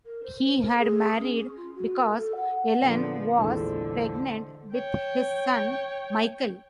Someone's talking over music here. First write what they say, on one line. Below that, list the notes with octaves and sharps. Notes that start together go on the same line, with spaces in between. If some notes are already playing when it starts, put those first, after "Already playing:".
He had married because Ellen was pregnant with his son, Michael.
A#4
C5
C5
A#4
G#4
C#4
F4
F#4
A#4
A4
F#5
A#2 D3 F3 B3
A#1 E2 D3 G#3 A4 C5
C#5 G5